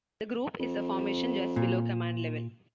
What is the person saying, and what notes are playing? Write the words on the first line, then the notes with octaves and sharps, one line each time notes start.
The group is a formation just below command level.
F2
A#2